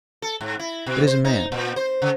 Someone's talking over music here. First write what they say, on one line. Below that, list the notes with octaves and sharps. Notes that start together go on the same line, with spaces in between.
It is a man.
A4
G#2
E4
B2
C5
D#4
A#2
C5
C#3